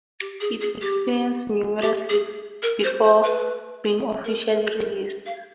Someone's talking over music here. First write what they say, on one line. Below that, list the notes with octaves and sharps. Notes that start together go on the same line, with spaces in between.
It experienced numerous leaks before being officially released.
G4
G#4
G#4
G4
G4
G#4
A#4
C5
C5
B4
A#4
A#4
A#4
F5